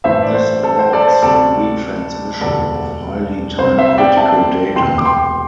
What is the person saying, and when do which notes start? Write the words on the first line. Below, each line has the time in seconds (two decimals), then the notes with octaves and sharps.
This avoids retransmission of highly time-critical data.
0.04 A1 G2 E3 A3 C5 E5
0.23 D5
0.35 C5
0.63 A4
0.79 C5
0.93 A4 D5
1.07 C5
1.22 D2 C3 G3 A4 D5
2.41 E1 D2 D3 G3 A4 D5
3.58 C2 C3 G3 C4 C5
3.78 C5 E5
3.98 D5 G5
4.17 E5 A5
4.76 E1 D2 C3 E3 G5 C6
4.98 D6
5.05 G5 C6